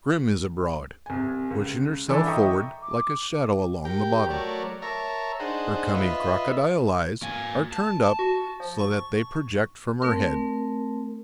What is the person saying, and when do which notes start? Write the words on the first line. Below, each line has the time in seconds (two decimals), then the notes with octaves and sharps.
Grim is abroad, pushing herself forward like a shadow along the bottom. Her cunning crocodile eyes are turned up so that they project from her head.
1.06 C2 G#5
1.51 C#2
2.08 E3 D4 E4 A4
2.26 D#5 E5 G5 A#5 C#6 D#6
2.82 D6
3.85 G4 A#4 G5
4.30 F#3 A3 A#4 C#5 D5
4.82 A#4 C#5 E5 A5 A#5
5.40 D4 D#4 G#4 C5 F#5
5.95 F4 B4 D#5 E5
7.22 A#3 G#5
7.72 A5
8.19 F#4
8.60 F3
8.79 C#6
10.02 A3 C4 A#4